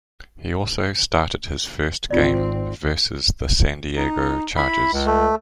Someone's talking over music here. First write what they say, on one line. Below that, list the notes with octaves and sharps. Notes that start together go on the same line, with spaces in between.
He also started his first game versus the San Diego Chargers.
G#1 C4 D#4 F4 D5
D#4
E4 B5
C#2
A3